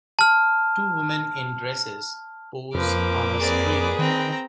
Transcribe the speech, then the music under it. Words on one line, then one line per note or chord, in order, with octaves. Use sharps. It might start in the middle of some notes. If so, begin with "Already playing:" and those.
Two women in dresses pose on a street.
A5 F6
F2 F3 A#3 B4 D6
C4 G#4 B4 D5
D#3 C4 G5 A#5